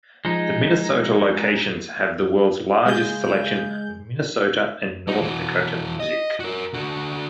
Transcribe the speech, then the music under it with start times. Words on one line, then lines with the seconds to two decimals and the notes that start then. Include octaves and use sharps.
The Minnesota locations have the world's largest selection of Minnesota and North Dakota music.
0.25 F3 G#3 D#4
2.86 C#3 G#3 G#4 G6
5.08 D#4 F#4
5.21 E3 F#4
6.00 D#5
6.40 F#4 A#4
6.74 D3 F#4